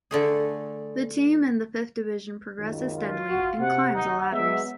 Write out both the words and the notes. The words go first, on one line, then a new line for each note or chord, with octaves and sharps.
The team in the fifth division progresses steadily and climbs the ladders.
D3 A3 G#4
C#2 F#2 D#3
F4
F#4 F#5
C3 F#5
D#2 D#4 F#5
F#3 G#3 B3 E5